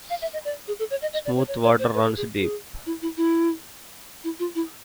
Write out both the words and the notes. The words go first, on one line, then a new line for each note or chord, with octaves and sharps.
Smooth water runs deep.
F5
E5
D#5
D5
G#4
A4
C#5
D#5
D#5
D5
C#5
C#5
C#5
C5
B4
A4
G#4
G#4
E4
E4
E4
E4
F4
E4